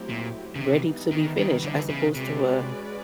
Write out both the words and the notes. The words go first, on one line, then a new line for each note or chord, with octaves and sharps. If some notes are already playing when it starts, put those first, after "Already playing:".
ready to be finished, as opposed to a
Already playing: F#3 A3 C4 E4 G4
A#2
C#3
C3 E3 G3 B3 D#4
D#3
D#3
D3
C#3
C3 G#3 C#4 F#4 B4 D5